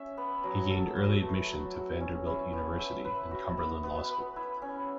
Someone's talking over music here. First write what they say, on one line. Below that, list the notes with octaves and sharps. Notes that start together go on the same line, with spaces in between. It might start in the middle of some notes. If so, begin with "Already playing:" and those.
He gained early admission to Vanderbilt University and Cumberland Law School.
Already playing: C#4 E5
B3
F#3
A4
F#4
A3
F#3
F#4
C#4
E4
B3
E5
B4
F#4
B3
B3
B4
E4
C#4